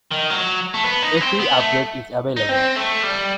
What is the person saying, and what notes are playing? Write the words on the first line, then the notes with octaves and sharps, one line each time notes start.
A free upgrade is available.
D#3
F#3
A3
B3
D#4
B3
C4
B3
A3
D#4
C4
A3
G3